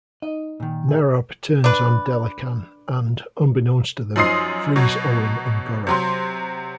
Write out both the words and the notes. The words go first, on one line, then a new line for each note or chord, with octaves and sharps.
Narab turns on Delekhan and, unbeknownst to them, frees Owyn and Gorath.
D#4 D#5
A#2 D#3
G#4 E5
D4 B4
F#2 F3 D#4 C6 D#6 C7
B2 F#3
C3 F#3 C6